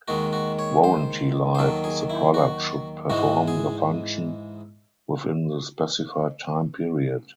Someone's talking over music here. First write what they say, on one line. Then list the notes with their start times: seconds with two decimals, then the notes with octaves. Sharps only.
Warranty life is the product should perform the function within the specified time period.
0.08 D#2 D#3 G#3 F#4
0.33 F#4
0.59 C#5
0.84 C5
1.55 C5
1.59 D#2 D#3 F#3 A4
1.84 G#4
2.10 E4
2.34 F#4
3.10 G#2 E3 G#3 F#4
3.48 G#4